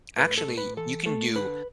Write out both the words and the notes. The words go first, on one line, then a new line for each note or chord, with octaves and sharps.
Actually, you can do
A2 B4
A4
A2
B4
E3 A4
A3 A4
D3 B4